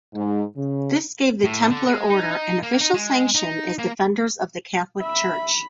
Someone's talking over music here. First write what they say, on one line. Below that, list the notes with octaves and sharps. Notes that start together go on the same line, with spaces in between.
This gave the Templar Order an official sanction as defenders of the Catholic Church.
G#2
C#3
A2
D3
G#3
D#4
D#4
A#3
D#4
G#3
D#4
A#3
E5 B5